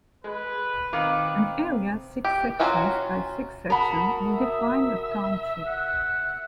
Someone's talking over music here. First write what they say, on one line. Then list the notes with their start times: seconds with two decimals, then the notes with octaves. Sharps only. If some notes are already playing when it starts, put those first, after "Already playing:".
An area six sections by six sections would define a township.
0.24 G#3 B4
0.93 D#3 C4 F5 D6
2.24 G4
2.60 F#3 C#4 F4 F#4
3.70 F#4 A#4 A5 B5 D#6
4.35 E5
5.66 F#5